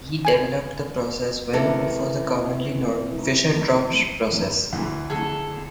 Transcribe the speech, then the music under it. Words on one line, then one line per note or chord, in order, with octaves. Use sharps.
He developed the process well before the commonly known Fischer-Tropsch process.
G#5 G#6 F#7
C3 E3 A3 A#3 A4
D2 E3
G#4 A4